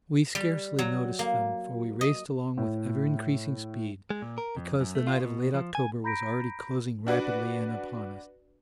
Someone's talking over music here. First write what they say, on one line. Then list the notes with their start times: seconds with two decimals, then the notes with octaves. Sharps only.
We scarcely noticed them, for we raced along with ever-increasing speed, because the night of late October was already closing rapidly in upon us.
0.35 G3
0.79 F#3
1.19 A#3
2.01 D#5
2.58 A2
4.10 G#3
4.22 A#2
4.38 A#4
4.56 F2
4.80 F#2
4.95 A3
5.07 F4
5.20 B2
5.54 F3
5.75 G#5
6.04 A#5 B5 G6 A#6 B6 D7
7.07 D4 F#4 B4 D5